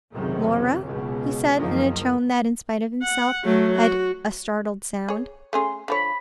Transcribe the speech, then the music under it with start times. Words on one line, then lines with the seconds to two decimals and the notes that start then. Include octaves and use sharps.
Laura!' he said, in a tone that, in spite of himself, had a startled sound.
0.12 F1 C#2 C3 D#3 F#3
0.81 C#2 B2
1.56 F#1 C#2 D#3 F3 A#3
3.02 F#5
3.44 F#3 A3
3.78 F#4
5.09 G#4 C#5
5.53 A3 C#4 G#4 C6
5.88 D3 F3 C#5 B5